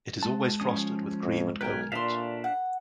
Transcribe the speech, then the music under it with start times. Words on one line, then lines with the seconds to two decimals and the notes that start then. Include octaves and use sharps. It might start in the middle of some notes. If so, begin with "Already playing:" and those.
It is always frosted with cream and coconut.
0.23 G#3 A5
0.60 F3 C#4 D#6
1.22 F2
1.61 B1 A#4 B4 G5 G#5
1.92 A#2 A3 D4 E5 F5 C6
2.44 F#5